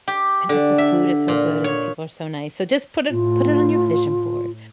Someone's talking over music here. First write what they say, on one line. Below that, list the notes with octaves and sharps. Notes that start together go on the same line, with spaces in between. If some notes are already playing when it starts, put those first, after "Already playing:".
and just the food is so good and the people are so nice so, just put it put it on your vision board.
G4
D3
E5
A#2
C#5
A2 F4